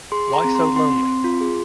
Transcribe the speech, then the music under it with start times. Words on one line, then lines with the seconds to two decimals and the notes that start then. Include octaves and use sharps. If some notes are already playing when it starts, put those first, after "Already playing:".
Why So Lonely?
0.12 G#4 C6
0.28 G#4
0.33 A#5
0.44 C4
0.55 C6
0.61 C4
0.76 C4 C6
0.92 C4
1.08 C4
1.24 F4
1.41 G#4